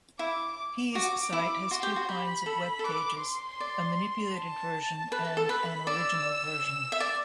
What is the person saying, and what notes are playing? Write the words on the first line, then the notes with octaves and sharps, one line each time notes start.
P's site has two kinds of webpages: a manipulated version, and an original version.
E4 D6
F#4 D6
E4 D6
F#4 C6
G4
F#4
G4 B5
A4
A4
B4 D6
C6
D5
A5
B4 A5
B4
A4
B4 B5
D5 E6
E5
D5